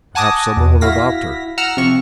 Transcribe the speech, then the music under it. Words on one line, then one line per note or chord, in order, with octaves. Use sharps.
Perhaps some one will adopt her.
F#5 G#5 A5 D6 D#6 A#6
E2
E4 F#4 F5 A#6 B6
F#5 A#5 E6 F6
C3 F3 C#6